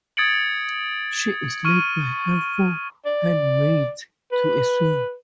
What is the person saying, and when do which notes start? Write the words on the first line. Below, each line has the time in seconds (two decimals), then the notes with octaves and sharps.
She is led by her four handmaids to a swing.
0.17 D#6 G#6 A6 C#7 D7 F#7
1.65 C#6 F6 D#7
3.06 D5
4.32 B4